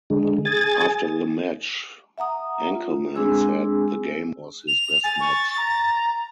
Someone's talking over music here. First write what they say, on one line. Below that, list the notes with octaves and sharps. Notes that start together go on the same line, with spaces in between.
After the match, Enckelman said the game was his best match.
D3 G#3
G#4 G#5 A6
E5 F#5 A#5 D#6
F4
G#3 C4 D4 G#4 G#5 E6
F7
G#5 A6
C#6
A#5